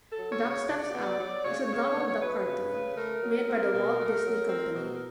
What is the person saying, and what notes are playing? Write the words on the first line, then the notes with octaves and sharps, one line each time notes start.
Duck Steps Out is a Donald Duck cartoon made by The Walt Disney Company.
A4
F#3
C#5
C#3
C#5
C#3 D5
B3
F#3
C#3 C#5
C#3
B3
F#3 B4
C#3
C#3
A3 A#4
F#3
C4
B2
A3
F#3
C4
B2